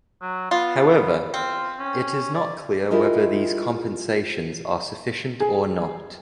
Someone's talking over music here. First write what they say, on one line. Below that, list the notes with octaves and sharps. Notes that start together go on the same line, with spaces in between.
However, it is not clear whether these compensations are sufficient or not.
F#3
B3 F4
C4 F4
C#4
D5
E4 F4 G4 G#4 A#4 D#5
G#4